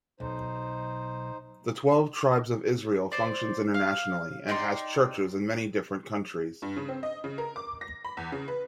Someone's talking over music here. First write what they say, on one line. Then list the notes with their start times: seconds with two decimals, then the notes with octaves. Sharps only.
The Twelve Tribes of Israel functions internationally and has "churches" in many different countries.
0.20 B1 D#4 C5
3.12 C5 D5
3.74 F5
4.48 D#4 D5 G5 C6
6.62 G2
6.76 C#3
6.88 C4
7.03 D#5
7.24 C#3
7.38 A#4
7.56 D6
7.81 A#6
8.04 B5
8.17 E2
8.32 C#3
8.48 B4